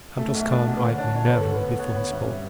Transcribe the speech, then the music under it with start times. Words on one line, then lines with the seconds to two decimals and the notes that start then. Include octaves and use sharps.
Kantos Kan eyed me narrowly before he spoke.
0.18 A3 E5
0.29 E5
0.34 B1
0.40 E5
0.50 D4 D5
0.67 B2
0.77 B4
0.83 D3 C#5
0.98 D4
1.15 D4 C#5
1.27 D2 B4
1.41 A4
1.47 D2
1.54 B4
1.63 B3
1.79 B3 C#5
1.95 B3 B4
2.11 G2 E5
2.27 G3